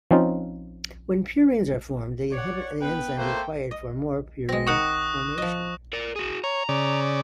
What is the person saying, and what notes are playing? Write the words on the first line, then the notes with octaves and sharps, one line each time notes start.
When purines are formed, they inhibit the enzymes required for more purine formation.
F3 C4 C#4 D#4 F4
C#5 D5 F#5
B3 B4 G5
A3 A#3 C5
D#5
G#3 C4 A#6
D#3 F#5 G5 C#6 D#6 F#6
F3 D#5
A#4 D5
F#4 G#4
C#5 A#5
C#3 D5